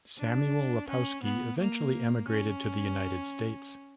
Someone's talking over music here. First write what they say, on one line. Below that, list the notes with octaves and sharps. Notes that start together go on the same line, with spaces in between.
Samuel Lapowski eventually emigrated to the United States.
D4
C#4
B3
A#3
C#4